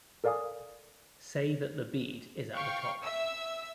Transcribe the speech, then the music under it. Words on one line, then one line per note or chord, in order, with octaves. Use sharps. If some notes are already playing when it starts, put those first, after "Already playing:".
Say that the bead is at the top.
A4 A#4 D5 F5 G#5 D#6
F5 G5 C#6
E5 E6